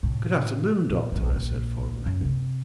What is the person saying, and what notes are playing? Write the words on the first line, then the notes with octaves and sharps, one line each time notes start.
"Good afternoon, Doctor," I said formally.
A2 C3
A#2 B3
D1 A#1
A#1 A#2
F#2
C3 C4